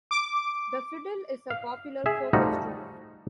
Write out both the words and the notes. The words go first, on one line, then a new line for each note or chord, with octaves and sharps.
The fiddle is a popular folk instrument.
D6
F5
G#4 E5
F3 G3 A3 D#4 F#4